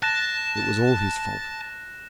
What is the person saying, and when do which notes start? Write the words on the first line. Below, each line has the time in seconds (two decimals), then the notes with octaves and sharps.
It was all his fault.
0.03 A5 F#6 A#6 E7